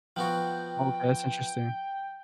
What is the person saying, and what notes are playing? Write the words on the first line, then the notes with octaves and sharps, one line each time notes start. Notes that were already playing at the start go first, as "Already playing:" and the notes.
Okay, that's interesting.
F3 B3 F#4 G5